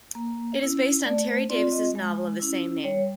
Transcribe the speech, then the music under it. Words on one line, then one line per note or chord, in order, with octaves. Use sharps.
It is based on Terry Davis' novel of the same name.
A#3
C#4 E4
A3 D5
C5
C4 F4 D5
D#5
G#3
C#4 E4
G3 C#5